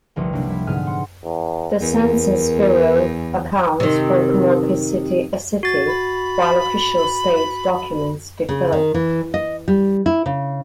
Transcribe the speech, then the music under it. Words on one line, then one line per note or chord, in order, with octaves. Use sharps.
The Census Bureau accounts Pocomoke City a city, while official state documents differ.
G1 C2 F3 A3
C3 F#3 A#3 D4 D#4
G3 E4 E5
G#2 D3 B3 G#5 F6
F#5 C6
E2
E2 A#4
C3 D#3
F#4 A6
B5
C#3
D#3
E3
D#5
G3
E4
C#3